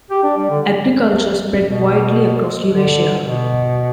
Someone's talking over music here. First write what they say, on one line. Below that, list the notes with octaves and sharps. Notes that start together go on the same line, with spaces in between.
Agriculture spread widely across Eurasia.
G4
D4
G3
D3
B2
D3
B2